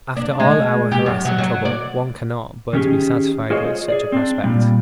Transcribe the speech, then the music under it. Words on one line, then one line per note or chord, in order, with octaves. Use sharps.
After all our harassing trouble one cannot but be satisfied with such a prospect.
D4
G#3
G4
F#2
F#3
F#3
D5
D#3 C#4 G4 G#4
F4 G#4 C5 C#5 D#5
G#4 D5
C4 D4
A#2 G3